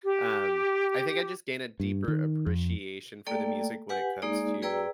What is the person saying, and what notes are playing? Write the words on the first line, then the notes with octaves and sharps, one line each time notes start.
Um, I think I just gain a deeper appreciation for the music when it comes to
G4
G2
D#3
F2
A3 A#3 A4 D5 G5
G4 B4 F#5 G#5
G#3 A#3 D#4 G#4 D5
G#4 B4 D5 G5 A#5 E6